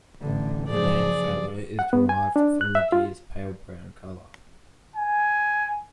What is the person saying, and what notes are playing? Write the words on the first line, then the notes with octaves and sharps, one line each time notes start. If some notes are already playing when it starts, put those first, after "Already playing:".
The name fallow is derived from the deer's pale brown color.
A1 D3
F#1 F3 G#4 D5
F#5
B3
G#5
D4
F#6
E5
F4
G#5